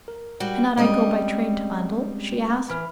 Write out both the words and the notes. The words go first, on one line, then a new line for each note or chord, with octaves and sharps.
"Cannot I go by train to Oundle?" she asked.
A#4
G3 F#4
G3 G#3 C4 C#4 D5 D#5
E3 B5 F6